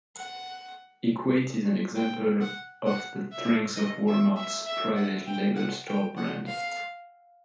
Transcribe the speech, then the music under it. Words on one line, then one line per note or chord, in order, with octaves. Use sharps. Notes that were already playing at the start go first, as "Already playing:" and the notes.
Equate is an example of the strength of Walmart's private label store brand.
F#5
G5
F#5
F#5
E5
D#5
E5
E5
E5
F#5
G5
F#5
G5
F#5
F5